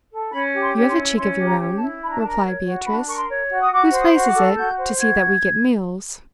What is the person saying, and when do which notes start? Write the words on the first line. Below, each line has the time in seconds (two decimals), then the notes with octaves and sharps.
'You have a cheek of your own,' replied Beatrice. 'Whose place is it to see that we get meals?'
0.11 A4
0.32 C#4 B5
0.53 G4
0.60 C6
0.74 C#4
0.88 C6
0.95 E4
1.16 C#4 C6
1.38 G4
1.45 A#5
1.59 C#4
1.73 A5
1.80 E4
2.01 D4 B5
2.09 A#5
2.17 A5
2.22 A#4 A#5
2.44 C#5
2.65 F#4
2.86 D4 B5
3.06 A#4 C#6
3.15 C6
3.29 C#5
3.50 F#4
3.59 D#6
3.71 F#4 D6
3.91 C5
3.99 D#6
4.13 F#4 C#6
4.27 D6
4.34 A4
4.55 F#4 G6
4.77 C5
4.98 F#4 G#6